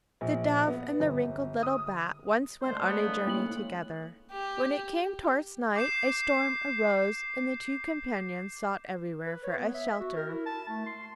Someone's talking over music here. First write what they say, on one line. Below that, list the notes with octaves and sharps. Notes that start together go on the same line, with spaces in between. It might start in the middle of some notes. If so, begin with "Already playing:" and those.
The Dove and the wrinkled little Bat once went on a journey together. When it came towards night a storm arose, and the two companions sought everywhere for a shelter.
A#1
B3
G1
D#6
D3 G#3 A3 C5
B3
G#2 C#3 G#3
A2 A#3 F#7
G4
D6 G6 C7 E7
B4
C#5
B3
E5
F#4
A#4
E4
A5
A3
C6